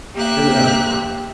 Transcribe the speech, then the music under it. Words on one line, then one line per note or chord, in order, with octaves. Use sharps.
Then another five.
A#3 G4 E5 F#6